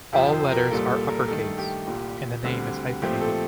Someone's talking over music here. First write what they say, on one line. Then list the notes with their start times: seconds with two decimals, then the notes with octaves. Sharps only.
All letters are upper-case, and the name is hyphenated.
0.13 F2 C3 F3 G4
0.32 C5
0.51 A#4
0.70 C2 A#2 G3 A#3 A4
0.90 A4
1.09 A#4
1.28 G2 D#3 A3 A4
1.58 G4
1.87 C2 A#2 G3
2.44 D2 D3 G3 C4
3.02 A#2 F3 A3 C4 G4
3.21 A4